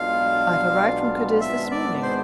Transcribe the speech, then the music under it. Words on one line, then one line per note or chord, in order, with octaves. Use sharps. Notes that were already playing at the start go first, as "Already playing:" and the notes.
I have arrived from Cadiz this morning.
Already playing: B1 B2 G#3 D4 F4 F5
G#1 G#2 G#3 B3 D4 E5
D5
C5